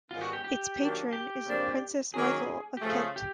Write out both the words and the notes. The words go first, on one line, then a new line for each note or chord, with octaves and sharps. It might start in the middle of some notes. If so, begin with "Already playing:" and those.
Its patron is Princess Michael of Kent.
G#2 D#3 G3 B3 F4
F#4
G4
G4
D#3 F#3 A#3 D4
G4
F2 C#3 F3 A#3 D4
D#3 F#3 A#3 C#4 G#4
G4
C#3 F3 A3 G#4
G4